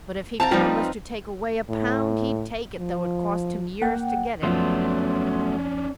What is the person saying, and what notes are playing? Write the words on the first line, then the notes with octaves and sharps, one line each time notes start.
But if he promised to take away a pound, he'd take it, though it cost him years to get it.
C4 F5 A5 A#5
F3 G3 C4 D#4 B4
A2
F3
A#3 F#5 G5
F#2 F3 F#3 A3 B3 C#4 D4 C6